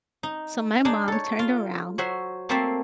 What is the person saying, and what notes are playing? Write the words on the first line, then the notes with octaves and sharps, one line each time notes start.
So my mom turned around
D#4
G#3 D4 D#4
A4 C#5
F4
F#3 F#4 C5 E5
A3 A#3 C4 A4 C5 E5